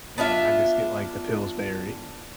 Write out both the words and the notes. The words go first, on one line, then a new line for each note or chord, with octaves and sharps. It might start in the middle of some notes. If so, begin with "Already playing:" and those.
And I just get, like, the Pillsbury.
B3 D4 F4 E5